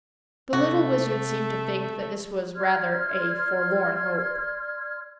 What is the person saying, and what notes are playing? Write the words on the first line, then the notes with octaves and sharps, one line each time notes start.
The little Wizard seemed to think that this was rather a forlorn hope.
C3 A3 F#4
D5 C6 F6 G#6